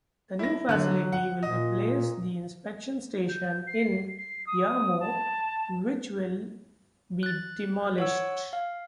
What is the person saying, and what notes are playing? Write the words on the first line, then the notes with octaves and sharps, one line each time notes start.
The new facility will replace the inspection station in Yermo, which will be demolished.
E4 A#6
D3 F#3 F#6
F#5
A#2 D#5
G6
C7
C7
D#6
A5
F#6 A6
C#5 F#5 E6
F5